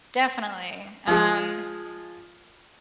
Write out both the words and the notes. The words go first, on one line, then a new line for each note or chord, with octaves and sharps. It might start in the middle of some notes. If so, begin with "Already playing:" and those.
Definitely, um,
F3 G#3